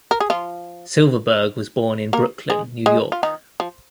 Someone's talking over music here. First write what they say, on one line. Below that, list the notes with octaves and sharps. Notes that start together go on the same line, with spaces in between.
Silverberg was born in Brooklyn, New York.
A#4
G#4
F3 F4
A#3 A#4
G#3 G#4
G#3 G#4
F4
D#3 D#4
F3